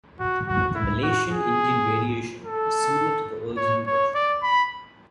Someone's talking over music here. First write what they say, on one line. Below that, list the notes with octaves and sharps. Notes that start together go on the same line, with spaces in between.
The Malaysian Indian variation is similar to the original version.
F#4
F#4
E4
F#4
G#4
A4
C#5
C#5
D5
B5